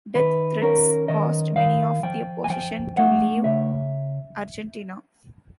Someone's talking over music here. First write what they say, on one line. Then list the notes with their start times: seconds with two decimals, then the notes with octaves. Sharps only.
Death threats caused many of the opposition to leave Argentina.
0.15 D#3 B4
0.62 C#4 A#4
1.08 D#3 D#5
1.56 D#3 F5
2.03 F3 G5
2.44 G#5
2.50 F3 G5
2.97 A3 F#5
3.44 C#3 E5